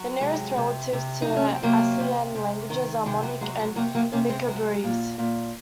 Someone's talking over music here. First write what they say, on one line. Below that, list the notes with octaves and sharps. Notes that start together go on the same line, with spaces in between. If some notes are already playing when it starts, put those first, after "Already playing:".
The nearest relatives to the Aslian languages are Monic and Nicobarese.
Already playing: F#3
C3 G#3
C3
C3
D#4
F#3
C#4
C4
C3 F#3 A#3
C3
C3
D#3
C3 G#3
F#3
F#3 G#3
G#3
C3 F#3 A#3
F#3 A#3
C3 A#3 C#4
G#3 C4
F#3 G#3
A#2
A#2